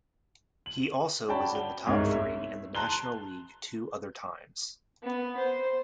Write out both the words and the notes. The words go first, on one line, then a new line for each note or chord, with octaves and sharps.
He also was in the top three in the National League two other times.
F#7
C#4 F#4 D5 G5 A5 B5
G7
G1 C2 G#2 A#4 C#5
E5
A5 A#5 C6 F#6 G7
B3
C5